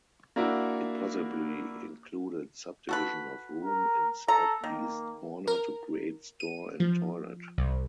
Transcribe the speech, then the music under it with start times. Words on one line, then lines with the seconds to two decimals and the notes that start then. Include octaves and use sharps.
It possibly included subdivision of room in southeast corner to create store and toilet.
0.36 A#3 D4 E4 F#4
2.89 F#4 A4 B4
3.64 A#4
4.28 A4 A#5
4.64 D#3 A#3
5.47 A#4
6.40 D#7
6.80 F3
7.58 C2